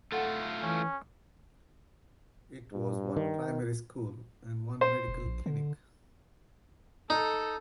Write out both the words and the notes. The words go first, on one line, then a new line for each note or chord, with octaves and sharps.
It has one primary school and one medical clinic.
A3 F4 A4 F#5
E3 C#4
G2
D#3
C5
F1
A#1
D3
D#4 A4